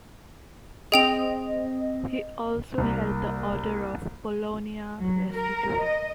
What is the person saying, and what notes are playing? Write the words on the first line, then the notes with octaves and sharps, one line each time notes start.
He also held the Order of Polonia Restituta.
C4 G#4 D#5 G5 F7
C2 A#3
F#3
A#4
D#5